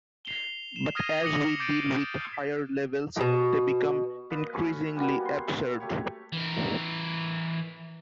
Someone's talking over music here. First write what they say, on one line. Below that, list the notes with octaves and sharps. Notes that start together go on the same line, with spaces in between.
But as we deal with higher levels they become increasingly absurd.
C7 F7 G7
E7
D#6 F6 G#6 A#6 C7 D#7
D6 D#6 A#6 C#7 F#7
D6 G6 A6 C7 D7 D#7
B2
A#3 B4 D5 D#5
A3 C#4 C#6
G3 A#3 B3 F#4
C6
A3 G4 C#5
E3 A#4